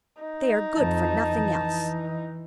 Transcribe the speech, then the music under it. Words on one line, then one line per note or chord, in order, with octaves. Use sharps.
They are good for nothing else.
D#4
F2 F3 A5
E3